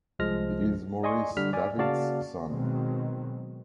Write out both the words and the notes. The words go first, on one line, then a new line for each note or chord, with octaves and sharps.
He is Maurice David's son.
C2 F3 G#3 F6 A#6
D5 D#5 G#5 C6 C#6
D3 G3 F6 B6
D5 G#5 F6
C#3 A#3 F#4 D5 F5 A5
B2 D#3 F#3 G#3 C4